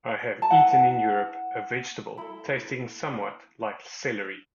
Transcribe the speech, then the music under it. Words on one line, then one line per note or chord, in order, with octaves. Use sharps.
I have eaten in Europe a vegetable tasting somewhat like celery.
A5
E4 B4 F#5
E4 A4 B5